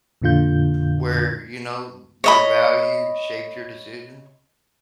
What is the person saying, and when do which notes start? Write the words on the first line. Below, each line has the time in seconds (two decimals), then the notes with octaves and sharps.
where, you know, your value shaped your decision?
0.22 F2 A#2 D3 F4 G6
2.24 C#5 D#5 B5